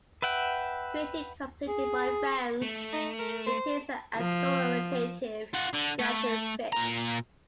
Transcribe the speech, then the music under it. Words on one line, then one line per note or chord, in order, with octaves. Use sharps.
Created completely by fans, it is the authoritative guide to Phish.
B4 E5 F#5 G5
G#4
A3
D#4
A#4
C5
F3
F4 F#5
D3
A3
A#2 A#5